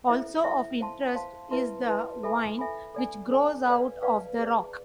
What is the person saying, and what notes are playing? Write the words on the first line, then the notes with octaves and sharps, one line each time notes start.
Also of interest is the vine which grows out of the rock.
E4 A4 C5 E5
E4 A4 C5 E5
C5 F5 A5 C6
C5 F5 A5 C6
E4 B4 E5 A5 C6
E4 B4 E5 A5 C6
A4 E5 G#5 B5
A4 E5 G#5 B5
A4 D5 G#5
A4 D5 G#5
B4 D5 F5
B4 D5 F5
G#4 B4 D5